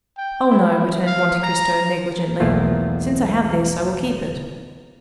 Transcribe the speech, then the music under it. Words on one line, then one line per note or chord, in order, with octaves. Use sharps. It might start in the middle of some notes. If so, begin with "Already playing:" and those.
"Oh, no," returned Monte Cristo negligently; "since I have this, I will keep it."
G5
E4
F5
A#5
B1 E2 A3 A#3 F4